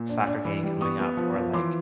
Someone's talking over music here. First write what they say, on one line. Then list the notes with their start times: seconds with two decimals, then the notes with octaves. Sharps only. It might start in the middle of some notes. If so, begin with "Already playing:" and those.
soccer game coming up?" Or, like,
Already playing: A#2
0.09 D4
0.27 D4
0.45 E3
0.63 G3
0.81 B3 C#6 D#6
1.00 B3
1.17 F3
1.35 F3
1.53 E3 C6 D6